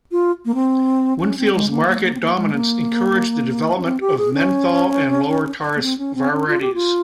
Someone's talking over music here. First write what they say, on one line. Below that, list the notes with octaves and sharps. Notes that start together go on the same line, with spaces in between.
Winfield's market dominance encouraged the development of menthol and lower tar varieties.
F4
A#3
C4
C#4
C4
G#3
A#3
A#3
G#3
A#3
C4
A#3
G#3
A#3
C#4
C4
G4
G#4
C#4
A#3
C4
C#4
C4
C#4
F4
G4
F4